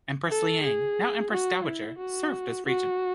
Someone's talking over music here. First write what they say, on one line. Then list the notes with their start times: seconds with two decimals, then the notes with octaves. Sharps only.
Empress Liang, now empress dowager, served as regent.
0.30 A4
0.63 G#4
1.32 F#4
1.64 E4
1.98 F#4
2.66 F#4